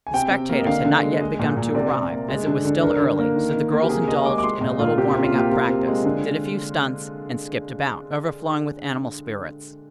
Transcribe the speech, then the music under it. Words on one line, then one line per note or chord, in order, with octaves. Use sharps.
The spectators had not yet begun to arrive, as it was still early, so the girls indulged in a little warming-up practice, did a few stunts and skipped about, overflowing with animal spirits.
G#5
C3 G5
C3
A#3
D#5
D3 F5
D3
G#3
G#3 D#5
A#2
A#2
C3 D5
C3
A#3
G#3
D3
D3
D3 A#4
D3
A#3
D#3
D#3
A#3
G4
C3 G#4
C3 D#5
G#3 D6
D6
G#3 C6
A#2 D#5
A#2 F4
C3 G4
F4
C3
F4
A#3 G4
C3 F4
C3
G#3
D3